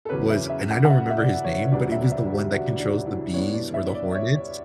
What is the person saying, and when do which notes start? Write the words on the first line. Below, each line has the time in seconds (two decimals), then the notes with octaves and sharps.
was and I don't remember his name- but it was the one that controls the bees or the hornets.
0.05 A4
0.09 E2 C#3 F#3 C#4 B4
0.30 E5
0.49 E5
0.71 F#5
0.85 F#5
0.90 E5
1.10 E5
1.17 D5
1.45 C#5
1.72 E1 D2 D3 G3 D4 D5
1.92 E5
2.12 E5
2.33 G4
2.53 F#4
2.80 D4
3.07 E4
3.34 G2 E3 B3 D4 C#5
3.54 D5
3.74 E5
3.95 D5
4.15 C#5
4.35 C#5